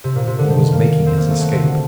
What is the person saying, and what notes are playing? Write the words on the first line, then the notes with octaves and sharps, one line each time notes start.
He was making his escape.
C3
A#2
C3
D3
D#3
A#3
C4
A#3
A3
F#3
C3
D3